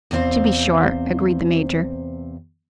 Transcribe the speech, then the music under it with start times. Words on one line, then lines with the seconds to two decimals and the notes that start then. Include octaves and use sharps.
"To be sure," agreed the Major.
0.11 E2 C3 B3 C4 C5 F5